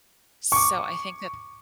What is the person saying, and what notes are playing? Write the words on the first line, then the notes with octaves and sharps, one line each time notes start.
so I think that
C#6 D6